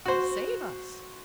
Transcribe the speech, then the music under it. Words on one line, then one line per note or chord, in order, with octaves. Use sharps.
Save us!
F#4 C5